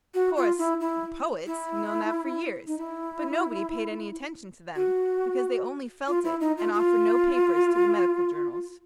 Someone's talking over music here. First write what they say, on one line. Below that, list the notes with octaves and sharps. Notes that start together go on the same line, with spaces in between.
Of course, the poets have known that for years, but nobody paid any attention to them because they only felt it and offered no papers to the medical journals.
F#4
F4
E4
E4
E4
D#4
E4
F#4
F4
E4
D#4
F4
F4